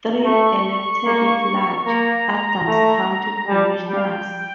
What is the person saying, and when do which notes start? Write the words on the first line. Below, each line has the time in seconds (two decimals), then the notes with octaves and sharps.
Three, elected at large, Adams County Commissioners.
0.18 A#5
0.24 A3 C#6
1.05 A#3
1.85 A#3 A#5
2.67 A3
3.47 G3 A5
3.88 G3 G5
3.95 F5
4.03 G5